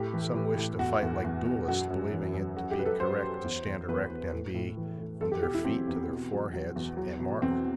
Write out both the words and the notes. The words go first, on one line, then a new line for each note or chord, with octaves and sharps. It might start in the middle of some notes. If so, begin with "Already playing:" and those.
Some wished to fight like duelists, believing it to be correct to stand erect and be, from their feet to their foreheads, a mark.
Already playing: A2 G4
E3
E3
A2
E2 F#4
E2
E2
B2
F#2 F#4
F#2
E3
F#2
F#3 F#4
G4
F#3 B4
A4
F#3 C5
F#3
E2
E2
E2 B4
E2
A2
A2
E3
A2
E2 A4
G4
B2 G4
E4
F#3 C4
E2
B2
F#3
F#3
E2
F#3
B2
E2 C4